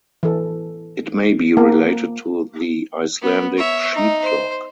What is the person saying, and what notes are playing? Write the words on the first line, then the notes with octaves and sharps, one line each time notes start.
It may be related to the Icelandic Sheepdog.
E3 A4
A#3
B3
C#5 E5
D#4
C5